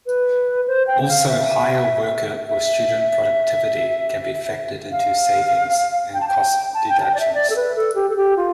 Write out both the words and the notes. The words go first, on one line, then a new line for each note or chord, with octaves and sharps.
Also, higher worker or student productivity can be factored into savings and cost deductions.
B4
C5
G5
G5
F5
E5
E5
F5
G5
A5
G5
A5
G5
A5
G5
D5
E5
D5
A4
B4
A4
G4
A4
G4
F4